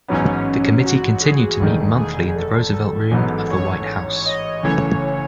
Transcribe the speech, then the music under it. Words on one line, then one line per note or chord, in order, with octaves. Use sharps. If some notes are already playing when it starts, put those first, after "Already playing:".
The committee continued to meet monthly in the Roosevelt Room of the White House.
A1 G#2 F#3 B3 C#4
F#4
G#4
E1 E2 D#3 A3
G#4
A4
A4
A1 G#2 F#3 B3
C#5
D#5
F#1 F#2 E3 A3 C#5